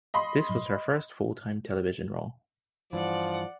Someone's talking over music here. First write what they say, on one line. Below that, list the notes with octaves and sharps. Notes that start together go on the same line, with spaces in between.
This was her first full-time television role.
D#5 B5 C6
G2 E3 F3 D5 F#5